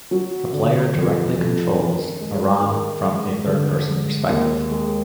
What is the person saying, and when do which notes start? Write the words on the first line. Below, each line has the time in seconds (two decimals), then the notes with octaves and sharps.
The player directly controls Arran from a third person perspective.
0.11 F#3
0.53 D3
0.94 F2
1.36 F2
1.78 D#3
2.20 G#3
2.62 D#3
3.03 G#3
3.46 D3
3.87 G#3
4.29 D#2
4.71 G#3